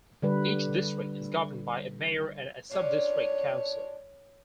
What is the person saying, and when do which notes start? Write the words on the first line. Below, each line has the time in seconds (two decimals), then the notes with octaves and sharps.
Each district is governed by a Mayor and a Sub-District Council.
0.22 D3 G3 B4
2.71 C#4 D4 F4 C#5